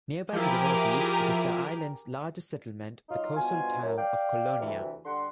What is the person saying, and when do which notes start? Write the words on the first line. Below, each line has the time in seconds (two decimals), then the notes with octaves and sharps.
Nearby to the northeast is the island's largest settlement, the coastal town of Kolonia.
0.33 F3 E4 G4 G#4 A#4
3.09 F#3 D#4 F4
3.36 G2 B2 F4 C5 G#5
3.82 F#2
3.96 D5 F5 G5
4.59 D2 C3 E3
5.05 D3 G3 F#5 C6